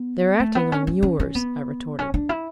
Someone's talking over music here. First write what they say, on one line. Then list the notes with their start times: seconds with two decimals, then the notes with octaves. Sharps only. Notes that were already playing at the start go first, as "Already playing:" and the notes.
"They're acting on yours," I retorted.
Already playing: B3
0.40 A3
0.55 B3
0.72 C#4
0.87 C#4
1.03 C#4
1.20 C#4
1.35 B3
1.99 C#4
2.14 D4
2.29 E4